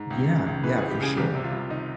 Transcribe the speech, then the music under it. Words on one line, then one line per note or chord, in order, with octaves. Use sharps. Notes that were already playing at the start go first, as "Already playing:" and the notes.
Yeah, yeah, for sure.
Already playing: G#2
C#2
C#3
C#2
E3 B4
G#4
C#2
G4
C#3 G#4
C2 G4
C3
F4
C2
D#3 D#4